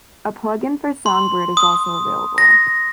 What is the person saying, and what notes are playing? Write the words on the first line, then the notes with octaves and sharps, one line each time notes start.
A plugin for Songbird is also available.
C6
D#6
A#6